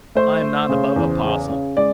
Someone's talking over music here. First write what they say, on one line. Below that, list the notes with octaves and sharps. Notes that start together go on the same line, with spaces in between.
'I am not above a parcel.'
A3 C5
A3
C#3
E2
C#3
C#3
G#3 D5